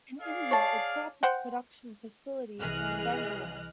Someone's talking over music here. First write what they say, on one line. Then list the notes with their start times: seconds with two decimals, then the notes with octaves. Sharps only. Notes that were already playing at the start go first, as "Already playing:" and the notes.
In India it set up its production facility in Bangalore.
0.21 G#4 D5 F5
0.51 C#5 A5
1.23 C5 F#5 G5
2.59 C2 E3 G#4 D#5 F6 F#6